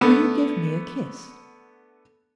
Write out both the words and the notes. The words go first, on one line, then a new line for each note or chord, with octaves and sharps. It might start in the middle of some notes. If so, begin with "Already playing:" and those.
"Will you give me a kiss?"
D3 A3 B3